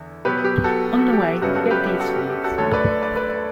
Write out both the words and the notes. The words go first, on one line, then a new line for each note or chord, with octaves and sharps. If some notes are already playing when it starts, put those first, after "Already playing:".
On the way get these things.
Already playing: E2 D3
B2 F#3 B3 G4 B4
G4
F#4 A4
F#4
G4
G4
F#2 C#3 G3 B3 F#4 A4
F#4 A4
G4 B4
G4
F#4 A4
G4
G4
F#4 A4
D2 D3 A3 A4 C#5
B4 D5
B4 D5
B4 D5